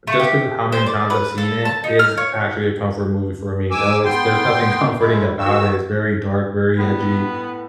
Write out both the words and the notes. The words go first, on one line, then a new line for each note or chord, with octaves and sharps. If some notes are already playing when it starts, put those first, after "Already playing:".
just 'cause of how many times I've seen it, it is actually a comfort movie for me, though it's there's nothing comforting about it, it's very dark, very edgy.
A3
G4
C5
D5
B4
A4
A5
D#4
F6
C#5
G#2 G#5 D6 E6
B3 G5 C6
G2 G#3 E4
D#3 F#4 E6
A2 B3 B5